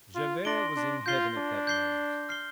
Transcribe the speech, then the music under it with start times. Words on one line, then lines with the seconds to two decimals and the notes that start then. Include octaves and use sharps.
Javert was in heaven at that moment.
0.15 F4
0.45 D4 C6 A#6 D7 G7
0.76 D4
1.06 F4 G6 C7 G7
1.37 D4
1.67 G6 C7 G7
2.29 F6 C7 G7